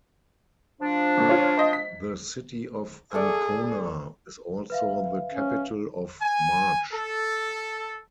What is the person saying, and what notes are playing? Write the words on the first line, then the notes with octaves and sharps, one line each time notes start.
The city of Ancona is also the capital of Marche.
F3 D4
G1 A#2
F4 C#5
C5 D#5
B6
A3 G#4 A4 D5
B4 E5 F5
C#4
G#5
A4